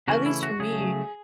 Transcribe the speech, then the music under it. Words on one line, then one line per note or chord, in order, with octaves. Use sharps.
at least for me,
C#3 E3 A3 C#4 F#4
E4
F#4
C#3 F#3 A3 G#4